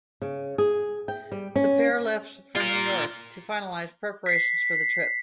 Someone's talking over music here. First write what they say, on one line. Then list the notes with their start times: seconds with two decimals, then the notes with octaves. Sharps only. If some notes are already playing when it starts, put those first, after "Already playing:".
The pair left for New York to finalize preparations for the trip.
0.22 C#3
0.58 G#4
1.08 G5
1.32 G3
1.56 C#4
2.56 F4 A#4
4.26 B6 C7